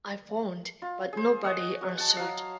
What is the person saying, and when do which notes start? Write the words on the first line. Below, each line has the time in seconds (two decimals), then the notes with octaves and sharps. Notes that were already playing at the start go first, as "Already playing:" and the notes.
I phoned but nobody answered.
0.82 F4
1.13 G#4 C5
1.44 C#5 D#5 F#5
1.81 F#4
1.98 F#5 A5
2.17 F#3 F5